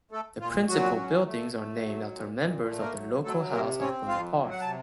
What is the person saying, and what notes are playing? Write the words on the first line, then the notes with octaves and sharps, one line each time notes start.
The principal buildings are named after members of the local House of Bonaparte.
A3 A4
A#2 F4
A#2 F#3 F#4
C#4
A3
A3
F#3
A#2
A#2
A3
A#3 A#4
F#3
F#3 A3 A4
C3 A#3 A#4
C4 C#4 C#5
F2 F4 F5
F#3
F#5
C3 A5